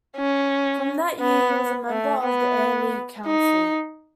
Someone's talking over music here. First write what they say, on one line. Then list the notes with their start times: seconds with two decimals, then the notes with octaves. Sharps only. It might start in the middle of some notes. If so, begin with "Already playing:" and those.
From that year he was a member of the Air League Council.
0.17 C#4
1.20 B3
1.89 A3
2.23 B3
3.26 D#4